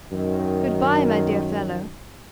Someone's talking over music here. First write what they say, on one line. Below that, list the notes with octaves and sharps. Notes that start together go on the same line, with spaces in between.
Good-bye, my dear fellow.
F#2 D#3